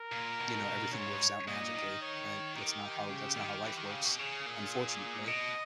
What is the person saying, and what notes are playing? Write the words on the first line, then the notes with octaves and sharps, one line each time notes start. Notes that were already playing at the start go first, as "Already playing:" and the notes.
you know, everything works out magically, right? That's not how that's not how life works, unfortunately.
Already playing: A#4
A#2
B2
G#2 C#5
A#2 D#5
D#3
C#5
D#3 G4
C#3
D#3
E3
D#3
C#3
B2
C#3 G#4
A#2
B2 D#5